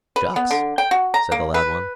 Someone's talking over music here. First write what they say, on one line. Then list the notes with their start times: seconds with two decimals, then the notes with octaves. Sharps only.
"Shucks!" said the loud one.
0.16 B4
0.36 B3
0.51 D3
0.78 G5
0.91 F#4
1.14 A#5
1.32 A#3
1.54 B4